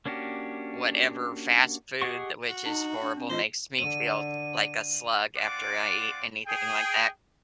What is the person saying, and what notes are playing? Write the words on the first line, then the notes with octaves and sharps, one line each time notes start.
whatever fast food tha which is horrible, makes me feel like a slug after I eat anything like that.
A#3 C#4 D4 F#4 G4
G4 G#4 D#5 F#5 C#6
F#4
D4 D#4
D4
C4
E3 F4 C5 D#5
D3 D#7
C4 F4 D5 F#5 D6
G#4 G5